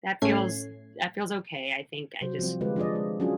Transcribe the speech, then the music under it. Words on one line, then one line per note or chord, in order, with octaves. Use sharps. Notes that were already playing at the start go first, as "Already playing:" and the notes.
that feels that feels okay I think I just
A2 A3 C#4 G#6 C7
C3 F#3 C5
F3 G3 C4
D3 G#3 F4 G4 B4
F3 D4 G#4 D5 D#5
G#3
F#3 C#4 D4 F4 G#4